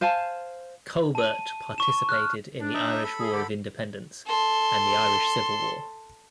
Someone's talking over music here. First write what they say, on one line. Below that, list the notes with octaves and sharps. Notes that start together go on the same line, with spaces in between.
Colbert participated in the Irish War of Independence and the Irish Civil War.
C5 F5 G#5 A5
A5 D#7
C#6 E7
F6 F#6
D4
D#4 D#5 E5
A4 B5
G#4
D3 G4
A4 C6